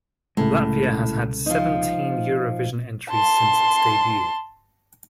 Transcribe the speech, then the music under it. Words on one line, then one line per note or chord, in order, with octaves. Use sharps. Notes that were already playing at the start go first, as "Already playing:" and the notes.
Latvia has had seventeen Eurovision entries since its debut.
C2 A2 C#3 G#3
F3 D#4
A5 C6